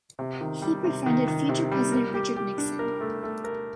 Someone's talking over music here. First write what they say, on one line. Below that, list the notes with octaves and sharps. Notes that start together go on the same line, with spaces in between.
He befriended future President Richard Nixon.
C3
D#3
G3
C3
D#3
D#3
C3
G3
A#4
G4
G4
D4
A#4
A3
A3
A#4